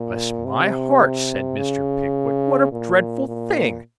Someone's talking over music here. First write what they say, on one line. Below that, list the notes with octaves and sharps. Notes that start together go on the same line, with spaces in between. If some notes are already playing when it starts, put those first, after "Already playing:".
'Bless my heart,' said Mr. Pickwick, 'what a dreadful thing!
Already playing: A#2
C3
C#3
A#2
A#2